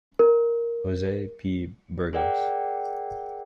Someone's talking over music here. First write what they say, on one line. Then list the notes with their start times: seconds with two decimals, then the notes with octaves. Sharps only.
Jose P. Burgos.
0.19 A#4
2.13 G#4 A#4 D5 F#5 G5